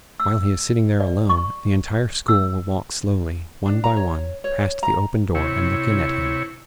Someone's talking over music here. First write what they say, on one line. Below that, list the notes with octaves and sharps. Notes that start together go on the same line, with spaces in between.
While he is sitting there alone, the entire school will walk slowly, one by one, past the open door and look in at him.
E6
D5
C#6
E6
D4
A#5
C#5
C#5
A#5
C3 E4 C#5